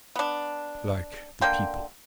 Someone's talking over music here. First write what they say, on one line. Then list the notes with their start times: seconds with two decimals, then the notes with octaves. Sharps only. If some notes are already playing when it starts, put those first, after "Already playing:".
Like the People.
0.16 B3 D4
1.41 D3 A#3 G5 C6